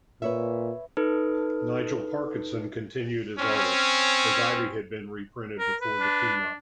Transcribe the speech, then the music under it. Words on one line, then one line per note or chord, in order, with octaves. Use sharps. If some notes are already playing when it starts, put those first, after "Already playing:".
Nigel Parkinson continued as artist, as Ivy had been reprinted before the team up.
A#2 B4 C#5 E5
D#4 A4 B4
C4 C#4
A#4
B4
D4